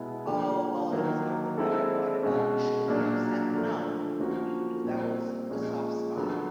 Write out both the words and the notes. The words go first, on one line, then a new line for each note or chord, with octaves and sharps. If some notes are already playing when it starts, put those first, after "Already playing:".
oh well, it was nothing that I brought it up, you shouldn't be upset. No, you you knew that was a soft spot,
Already playing: B2 G#3 B3 E4 G#4
D3 F3 A#3
D#3 F#3 A#3
G#3 C4 E4 A4
B2 G#3 C#4
A#2 F#3 A#3 D4
D3 F3 A3
F3 A#3 C#4 F#4
A#2 G3 C4
A#2 F3 G#3 C#4
D3 F#3 B3